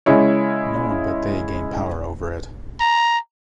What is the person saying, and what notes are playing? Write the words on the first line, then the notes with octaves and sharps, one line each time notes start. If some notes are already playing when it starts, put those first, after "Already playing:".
No one but they gained power over it.
C#3 G#3 E4 C#5
A#5